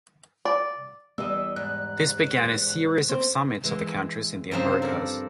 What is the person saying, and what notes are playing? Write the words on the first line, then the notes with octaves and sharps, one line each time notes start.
This began a series of Summits of the countries in The Americas.
D5
E2 E3 G3 D5 D#5 E6
G#2 F#6
C4 C5
E3 G#3
G2 C#3 F3 C4 D#4 C5
A4 A#4 D5